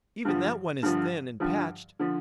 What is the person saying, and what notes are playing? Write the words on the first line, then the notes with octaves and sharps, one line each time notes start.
Even that one is thin and patched.
G2 D3 F3
G2 D3 F3
G2 D3 F3
D3 F3